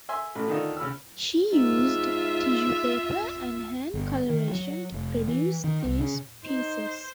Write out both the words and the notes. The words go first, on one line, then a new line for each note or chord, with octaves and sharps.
She used tissue paper and hand colouration to produce these pieces.
E5 G#5 C6
A1 A3 B5
D3 D#3 D4 D#4 F4 A4
C#3 B5 E6
G#2 F4 E5
G1
D#3
F#3
F1
E3
D#3
C2
C#3
D#4 C5